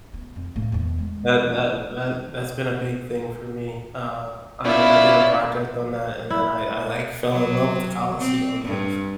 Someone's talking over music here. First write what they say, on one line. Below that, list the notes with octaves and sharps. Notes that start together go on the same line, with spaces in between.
that that that that's been a big thing for me. Uh, I I did a project on that, and then I I like fell in love with the Colosseum, and
B3
F2
A2 A#3
E2 D#3
G#3
B3 C#4 E4 F4 D5
E4
F#3
C4
G2